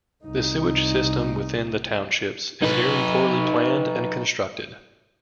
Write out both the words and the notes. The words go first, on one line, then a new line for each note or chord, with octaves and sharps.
The sewerage system within the townships is very poorly planned and constructed.
C2 D#4
D#4 B4